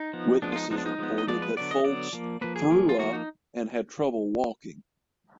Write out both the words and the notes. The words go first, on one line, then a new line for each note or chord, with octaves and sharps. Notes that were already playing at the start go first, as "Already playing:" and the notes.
Witnesses reported that Foltz threw up and had trouble walking.
Already playing: D#4
F3 B3
F3 G#3 B3 D4
F4
D#4
F3 G#3 B3 D#4
D4
D#4
F3 G#3 B3
D#5
F3 G#3 B3 D5
B4
D3 F#3 B3 D5
D#5
D3 F#3 B3 D5
F3 A#3
F3 A#3 B4
G#4
F3 A#3
F4
F3 A#3 F#4
D#4